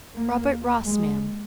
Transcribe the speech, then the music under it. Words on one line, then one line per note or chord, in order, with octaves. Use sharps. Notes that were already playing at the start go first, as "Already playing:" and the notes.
"Robert Ross, ma'am."
D#2 A#3
G#3